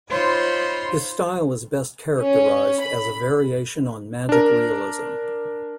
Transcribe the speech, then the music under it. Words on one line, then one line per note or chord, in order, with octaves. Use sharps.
His style is best characterized as a variation on magic realism.
D#4 F4 C5 C#5 B5 C6
C#4
B5
D4 A#4